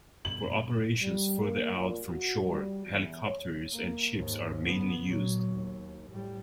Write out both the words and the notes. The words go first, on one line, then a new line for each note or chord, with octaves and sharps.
For operations further out from shore helicopters and ships are mainly used.
G2 B2 D3 F#7
G3
A#3
A#2
F#4
G3
E2
C#5
A#3
D#2 G#2
D3 B3
A#2 F#3
D#2
A2 G3